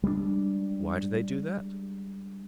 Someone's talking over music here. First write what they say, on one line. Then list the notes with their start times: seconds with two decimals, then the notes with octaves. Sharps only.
"Why do they do that?"
0.03 G3 G#3 A#3 D4